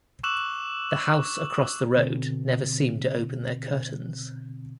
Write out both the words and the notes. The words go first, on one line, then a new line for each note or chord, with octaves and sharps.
The house across the road never seem to open their curtains.
C#6 D6 E6 F#6 E7 F#7
B2 D3 C4